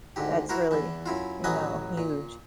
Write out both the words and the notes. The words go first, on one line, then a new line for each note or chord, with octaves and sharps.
That's really, you know, huge.
D2 G#2 G4
E4 F#4 A#4 C5
E2 E3
F#2 E4 F4
A1 F#3 B4 D#5 G#5
A#2